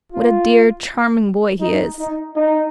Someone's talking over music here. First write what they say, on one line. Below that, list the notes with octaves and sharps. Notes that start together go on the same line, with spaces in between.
"What a dear, charming boy he is!"
F4
D#4
D#4
D#4